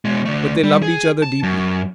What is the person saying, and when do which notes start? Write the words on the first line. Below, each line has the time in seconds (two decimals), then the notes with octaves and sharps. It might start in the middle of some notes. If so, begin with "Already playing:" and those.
But they loved each other deeply.
0.05 B2 G#3
0.25 D3 A3
0.64 G3
0.82 G#4
1.22 A5
1.43 F#2